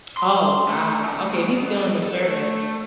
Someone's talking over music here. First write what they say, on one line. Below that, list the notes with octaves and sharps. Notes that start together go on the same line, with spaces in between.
Oh, wow. Okay, he's still in the service.
C6
A3
A2
E2
B2
B2
A4
A3